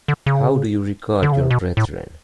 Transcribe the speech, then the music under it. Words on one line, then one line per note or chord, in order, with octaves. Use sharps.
How do you regard your brethren?
D3
C#3
D3
C#3
C3
B2
A2